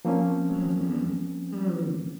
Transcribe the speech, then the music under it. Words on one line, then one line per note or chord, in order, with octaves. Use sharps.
Mhm, mm.
F3 A#3 C4 C#4